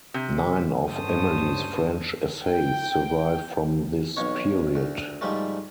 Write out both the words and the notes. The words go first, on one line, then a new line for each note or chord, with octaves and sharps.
Nine of Emily's French essays survive from this period.
C3
G2 C#4 C5 A5 D#6
G5
B1 F2 C#5
D2
G#2 F3 G3 A3